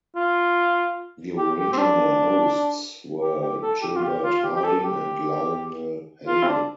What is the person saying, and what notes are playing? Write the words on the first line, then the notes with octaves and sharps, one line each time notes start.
The original hosts were Gilbert Harding and Lionel Hale.
F4
G4
G4
C4
D4
G4
G4
A4
G4
F4
G4
F4
G4
G4
A4
G4
F4
C4
D4